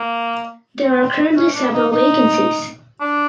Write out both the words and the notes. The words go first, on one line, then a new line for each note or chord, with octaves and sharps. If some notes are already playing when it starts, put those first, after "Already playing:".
There are currently several vacancies.
Already playing: A#3
C4
C#4
D4
D#4
D#4
D4